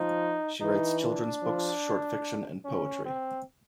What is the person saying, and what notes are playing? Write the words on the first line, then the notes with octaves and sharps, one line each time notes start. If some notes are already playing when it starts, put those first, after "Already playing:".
She writes children's books, short fiction, and poetry.
Already playing: F3 D#4
E3 D#4
D4
F3
C#4
C4